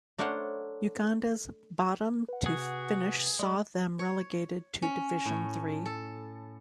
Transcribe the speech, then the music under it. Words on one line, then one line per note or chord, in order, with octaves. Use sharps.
Uganda's bottom two finish saw them relegated to Division Three.
A3 D4 A#4 C5 C#5 F#5
B4 F#5
C3 F#4 G#4
G#3 D5 D#5 B5
C#5
C#4
A2
A4